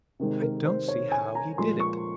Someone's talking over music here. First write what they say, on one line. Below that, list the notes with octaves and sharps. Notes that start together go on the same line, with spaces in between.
"I don't see how he did it."
C3 D#3 G#3
A#4
C5
C#5
G#5
A#5
A#2 F3 G#3 C6
C#6